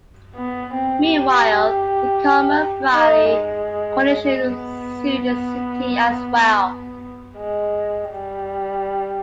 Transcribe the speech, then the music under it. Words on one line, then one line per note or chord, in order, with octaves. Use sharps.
Meanwhile, the Carmel Valley Coalition sued the city as well.
B3
C4
G4
D#4
G#3
B3
G#3
G3